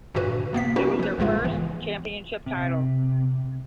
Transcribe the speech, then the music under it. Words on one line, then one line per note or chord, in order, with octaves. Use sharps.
It was their first championship title.
G2 A#2 D3 F#4 B4
C3 A#3 B3 B6
C#4 D#4 F#4 A#4 B4
F3 B4
A#1 G#2 C#3 G#3 F4 E5
E3 B3
C3